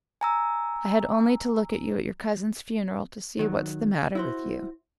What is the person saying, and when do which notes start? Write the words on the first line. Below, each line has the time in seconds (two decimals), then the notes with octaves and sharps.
I had only to look at you at your cousin's funeral to see what's the matter with you.
0.21 G#5 A#5 E6
3.39 D#3 F#3
4.15 E4 F#4 C5